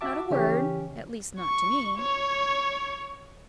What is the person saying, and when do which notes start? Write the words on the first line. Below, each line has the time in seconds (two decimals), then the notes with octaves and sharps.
"Not a word--at least not to me."
0.01 F#4 E5 A5 D6
0.31 C#3 E3 C#4 G4
1.41 C#6
1.98 C#5